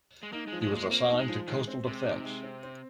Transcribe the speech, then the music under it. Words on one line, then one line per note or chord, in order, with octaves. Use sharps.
He was assigned to coastal defense.
G#3
A#3 D#4
F3 G#3
G#3
A#2
G#3
A#3 C4
D#4
G#3
F3
D#3 G#3
C4
C3 G#3
D#4
G#3
C4
C4